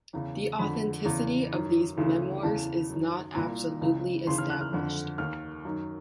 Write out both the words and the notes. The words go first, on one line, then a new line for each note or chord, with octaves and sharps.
The authenticity of these memoirs is not absolutely established.
E2 C#3 E3
F2 D3 B5
E2 C#3 E3
F#2 D#3
D2 C#3 E3
E2 C#3 E3 A5
F#2 D#3
C2 A#2 A#5
C#2 C#3 E3
D#2 C#3 E3 C6
F6
F#6
F6
F2 D3
D#2 D#3 F6
F#2 D#3